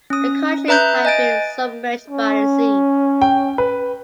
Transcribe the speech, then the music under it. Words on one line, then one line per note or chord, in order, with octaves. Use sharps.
The country had been submerged by the sea.
C#4 D#6
B4 E5 A#5 F#6 G6
D#5 G#5 A6 D7
C#4
G5
B4